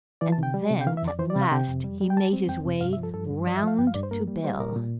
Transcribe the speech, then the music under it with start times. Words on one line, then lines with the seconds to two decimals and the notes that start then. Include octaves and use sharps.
And then at last he made his way round to Bell.
0.21 E3 D5
0.32 A5
0.38 C3
0.43 G5
0.54 G3
0.70 C3
0.81 G5
0.86 E3 F5
0.97 E5
1.02 F2
1.08 D5
1.19 E3 C5
1.30 D5
1.35 C3
1.41 F5
1.51 C3 G5
1.68 F2
1.84 G3
2.01 G3
2.10 G5
2.17 G3 A5
2.33 C4
2.49 F2 G5
2.66 C3
2.81 G2 F5
2.93 E5
2.97 F3
3.03 A4
3.14 G2 A4
3.30 G2
3.47 F3 D5
3.57 E5
3.63 F3 F5
3.79 G2 G5
3.87 F5
3.94 G2 D5
4.03 C5
4.11 A#3 A#4
4.27 G3
4.44 G3 C5
4.59 A#2 A#4
4.76 A#2